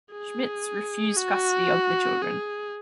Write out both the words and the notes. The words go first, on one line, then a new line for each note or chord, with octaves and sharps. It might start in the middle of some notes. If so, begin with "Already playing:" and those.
Schmitz refused custody of the children.
G#4
F#4
G#4